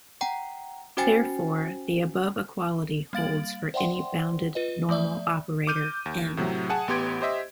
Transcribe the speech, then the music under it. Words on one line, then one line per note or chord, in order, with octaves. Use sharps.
Therefore the above equality holds for any bounded normal operator "N".
F#5 G5 A#5
C#4 F#4 C5 G5 G#5 A6
G3 A#3 F5 A6 D7 F#7
C5 D5 E5 F#5 G5 C6
F4 B4 D#5
F3 A3 D5 E5
D6 F6 G6 D#7
D#2
A2 C3 F#3
G#4 F#5 G#5 A5
A1 B3 G4 C6 G#6 D7
G4 C5 D#5 E5